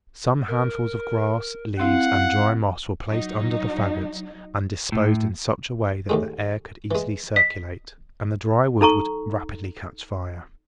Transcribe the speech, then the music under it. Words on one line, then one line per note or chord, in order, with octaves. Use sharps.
Some handfuls of grass, leaves, and dry moss were placed under the fagots and disposed in such a way that the air could easily circulate, and the dry wood would rapidly catch fire.
A#4
C4 E4 F5 F#5
F#3 D#4
A2
D#2 A2 G#3
E3 G#3
D#5 B6
D#4 A4 A#5 C#6